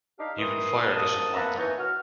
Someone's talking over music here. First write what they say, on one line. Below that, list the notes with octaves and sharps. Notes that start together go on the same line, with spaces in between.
Even fire doesn't want them.
D4 D#4 G4 F5
D#3 E3 C6 D#6
D#2 G#2 A5 D#6
A#3 B4 E5 F#5 A5 A#5
E3 D#4 C#5
F#4 F6